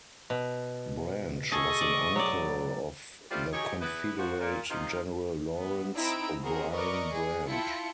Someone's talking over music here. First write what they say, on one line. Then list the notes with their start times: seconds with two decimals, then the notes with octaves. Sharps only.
Branch was an uncle of the Confederate General Lawrence O'Bryan Branch.
0.30 B2
1.52 G#4 A4 D#5 C#6 D#6
1.81 D5
2.15 F#3 D5
3.31 G3 A3 F4 C5 D5
3.53 F#3 D#4 G4 G#4 C#5
3.81 E2 B3 E4 B4
4.18 F3 F#4
4.39 A#2
4.70 C3 D#3 D#4 F4
5.55 B3
5.95 C4 D#4 E4 A#5 E6 D7
6.40 C4 F#4 G#4 A#4
6.72 A#4 B4 D5 D#5 C#6 D6
7.13 G#4
7.48 E4 F4 G5 A5 C#7